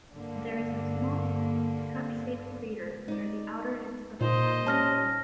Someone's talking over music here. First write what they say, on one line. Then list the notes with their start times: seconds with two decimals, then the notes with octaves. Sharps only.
There is a small, cup-shaped crater near the outer edge of the southern rim.
0.14 G2 D3 A#3
3.08 D#4 D5
4.21 A#2 D#4 C5 D#5
4.67 G3 C#4 A5 F6 A#6